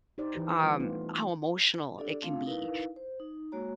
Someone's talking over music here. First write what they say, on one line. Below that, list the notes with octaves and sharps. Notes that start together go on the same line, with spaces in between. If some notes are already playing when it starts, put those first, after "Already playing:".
um, how emotional it can be,
D#4 G4 C5 D5
E3 G4 B4
G3 C4 F4
A3 B3 D#4 F4
D4 G4 A4 D5
A3 C4 D4 F4 F5
D#4 E4 A#4 B4 F5
C5
D#4
G#3 A#3 F#4 C#5 A#5